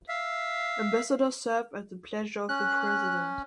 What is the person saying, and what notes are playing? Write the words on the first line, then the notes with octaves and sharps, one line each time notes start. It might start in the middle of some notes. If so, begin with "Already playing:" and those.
Ambassadors serve at the pleasure of the president.
E5 F5
C#4 F#6